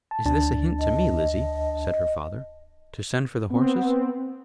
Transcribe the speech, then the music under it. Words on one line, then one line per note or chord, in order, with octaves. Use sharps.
"Is this a hint to me, Lizzy," said her father, "to send for the horses?"
A5
D2 D4 A5
D#5
B3 C4